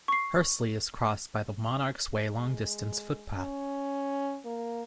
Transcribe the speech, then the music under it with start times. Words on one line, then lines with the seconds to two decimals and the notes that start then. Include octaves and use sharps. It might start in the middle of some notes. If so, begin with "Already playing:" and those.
Hursley is crossed by the Monarch's Way long distance footpath.
0.08 C#6 C7
2.35 G#3
3.36 C#4
4.45 A#3